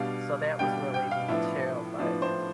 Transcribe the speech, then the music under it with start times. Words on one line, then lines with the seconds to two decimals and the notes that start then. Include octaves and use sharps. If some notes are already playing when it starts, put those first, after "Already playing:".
So that was really neat, too, but,
Already playing: B2 G3 D4 F5
0.59 B2 G3 D4 G5
0.94 G5
1.11 F5
1.28 A2 F3 B3 D4 E5
1.99 A2 F3 B3 D4
2.22 C5